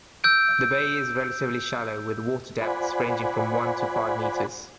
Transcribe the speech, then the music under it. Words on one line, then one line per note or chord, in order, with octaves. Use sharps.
The bay is relatively shallow, with water depths ranging from one to five meters.
E6 G6 D7
F4 C5 D5 F#5 G#5 B5